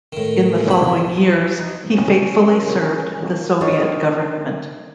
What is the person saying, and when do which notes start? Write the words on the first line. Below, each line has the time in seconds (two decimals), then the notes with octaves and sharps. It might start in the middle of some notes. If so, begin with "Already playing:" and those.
In the following years, he faithfully served the Soviet government.
0.13 A2 D#3
0.70 E2 B5
1.56 D#4
1.88 C#4
2.48 A#4
3.61 D#3 D4 C#5